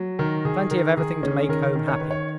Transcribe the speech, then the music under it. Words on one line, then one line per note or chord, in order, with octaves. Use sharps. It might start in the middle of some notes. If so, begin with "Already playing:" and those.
Plenty of everything to make home happy.
Already playing: F#3
D#3 A#4
D#3 G#4
D#3 A#4
D#3 G#4
C#4 G#4
G#4
D#3 A#4
D#3
C#5
D#3 B4
C#5